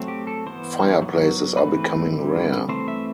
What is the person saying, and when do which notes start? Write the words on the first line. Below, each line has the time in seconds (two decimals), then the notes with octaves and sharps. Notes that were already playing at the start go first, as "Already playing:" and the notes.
Fireplaces are becoming rare.
Already playing: F#3 A3 C4
0.08 G4
0.27 A4
0.46 E3 B3 C5
1.02 F#3 B3
1.57 E3 A3 C4 B4
2.12 D3 G3 C4
2.69 E3 A3 C4 C5
2.88 E5